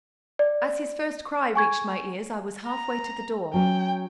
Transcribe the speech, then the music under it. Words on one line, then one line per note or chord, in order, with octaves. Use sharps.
As his first cry reached my ears I was halfway to the door.
D5
G#5 C#6 G#6
A#5
F#3 C#4 G5